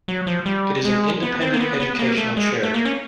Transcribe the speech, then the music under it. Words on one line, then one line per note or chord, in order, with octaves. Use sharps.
It is an independent educational charity.
F#3
F3
G3
G#3
B3
C4
A#3
B3
B3
A#3
A3
G#3
A3
A#3
C#4